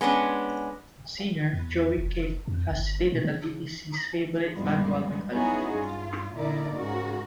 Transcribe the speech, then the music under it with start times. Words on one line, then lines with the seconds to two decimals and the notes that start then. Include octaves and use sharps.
Singer, Joey Cape has stated that it is his favorite Lagwagon album.
0.01 G#3 B3 C#4 D4
1.53 E2
1.98 F1
2.48 F2
2.71 G1
3.12 A#2
3.24 C#3
4.53 F#2 A#2 F3 G3 G#3 B3
5.30 B3 C#4 D#4 E4 F#4 G#4
5.73 G2 F4
6.33 A#2 D3 D#4 E4 A#4 D5
6.74 G#2 C#3 F#4 A#4